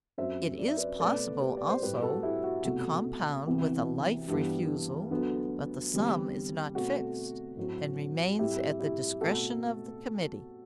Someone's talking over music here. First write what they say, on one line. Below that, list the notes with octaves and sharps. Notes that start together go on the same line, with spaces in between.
It is possible also to compound with a life refusal, but the sum is not fixed, and remains at the discretion of the committee.
F#2 F#3 C4 C5 E5
D5
E5
B4 D5
B2 A3 C4 B4 D5
G4 B4
D5
C5
A2 G3 C4 G4 B4
F#4 A4
E4 G4
F#4
C2 B2 A3 F#4
C2 C3 E3 B3
G2 E3 G3 B3
D2 D3 F#3 B3
E2 D3 G3 C4
B2 A3 C4 F#4
A2 F#3 C4
A2 G3 C4 E4 G4
E4 G4
B2 A3 C4 F#4 A4